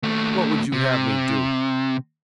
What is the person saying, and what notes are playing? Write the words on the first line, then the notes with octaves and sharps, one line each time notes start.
'What would you have me do?
D#2 A3
C3